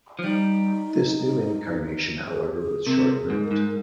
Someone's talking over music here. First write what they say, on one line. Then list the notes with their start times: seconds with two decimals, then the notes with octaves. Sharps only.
This new incarnation, however, was short-lived.
0.19 F3
0.24 G3 D#4
2.28 G#4
2.46 G4
2.56 G#4
2.87 C3 A#4
3.15 G#4
3.30 G#2
3.44 A#4
3.51 G#2